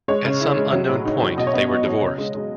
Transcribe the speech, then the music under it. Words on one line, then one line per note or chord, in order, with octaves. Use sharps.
At some unknown point, they were divorced.
G#3 C#5
C#3
E4
G#3
F#3
A2
D#4
F#3
B2 D#5
C#5
B3 D#5
B3
F#3
C#3
G#3
G#3